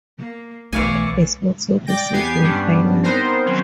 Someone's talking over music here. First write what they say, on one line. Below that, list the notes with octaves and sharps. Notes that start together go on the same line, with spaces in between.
It is also the season finale.
A#3
B1 E3 A3 C#5 D5 F5 G#5
D5 G5 A#6
E2 B3 G4 G#5 C7
G2 G3 B3 C#4 D4
B3 C4 D#4 A#4 C5
D#3 F#3 C4 C#4